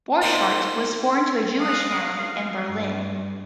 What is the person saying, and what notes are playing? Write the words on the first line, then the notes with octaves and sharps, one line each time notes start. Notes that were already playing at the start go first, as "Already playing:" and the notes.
Borchardt was born to a Jewish family in Berlin.
A#3 D#4 G4 C5 F#5
G#3 F5 D#6 F#6 A#6
F5
G2